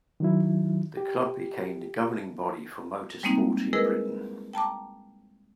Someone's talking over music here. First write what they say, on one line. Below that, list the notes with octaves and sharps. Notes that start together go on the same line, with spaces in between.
The Club became the governing body for motor sport in Britain.
D#3 F#3 E4
G4
G3 G#3 A#3 C4 D#4
G#3 E4 G#4 A#4 B4 D#5
G5 A5 A#5 D6